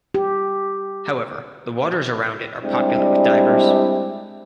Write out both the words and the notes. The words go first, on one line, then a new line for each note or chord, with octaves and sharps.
However, the waters around it are popular with divers.
G4
G3 G#3 C4 D4 E4 G4